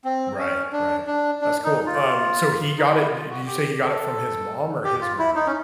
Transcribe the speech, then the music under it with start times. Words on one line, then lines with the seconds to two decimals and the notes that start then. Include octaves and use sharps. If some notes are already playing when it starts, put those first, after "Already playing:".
Right, right, that's cool. Um, so, he got it di did you say he got it from his mom or his grandma?
0.04 C4
0.38 C#4
0.72 D4
1.07 D4
1.41 D4
1.64 D#4
1.86 F4
2.78 D#4
2.95 E4
3.13 F4
3.30 F#4
3.47 G4
3.81 A4
4.84 G4
5.01 F4
5.19 E4
5.36 D#4
5.47 C#4